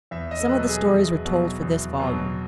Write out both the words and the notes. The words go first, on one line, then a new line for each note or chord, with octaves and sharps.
Some of the stories were told for this volume.
E2 E5
D#5
A4
B2 F#3 B4
G#4
E2
B2 F#3
E2
B2 F#3